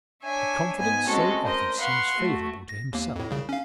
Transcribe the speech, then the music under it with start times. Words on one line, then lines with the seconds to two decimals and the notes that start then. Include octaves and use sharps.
The confidence so offered seems favourable to himself.
0.23 D4 C#5 E5 G#5
0.78 G#2 B3 G#5
1.08 G#3 A3 C4 C#4 F#4 A4
1.43 A#4 C5 D#5
1.77 B4 F5 F#5 C6 C#6
2.16 A3 F#4
2.69 A#6
2.93 D#2 A#3
3.16 F2 A2
3.31 C2 C#3
3.49 C#4 F5